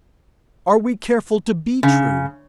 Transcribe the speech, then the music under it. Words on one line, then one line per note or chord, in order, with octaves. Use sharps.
Are we careful to be true?
C#3